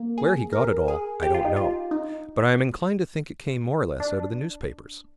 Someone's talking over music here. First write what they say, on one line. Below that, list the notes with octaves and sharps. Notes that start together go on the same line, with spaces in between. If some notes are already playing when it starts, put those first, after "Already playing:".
Where he got it all, I don't know, but I am inclined to think it came more or less out of the newspapers.
Already playing: A#3
G#4
A#4
G#4
G4
F4
D#4
F4
D#4
D4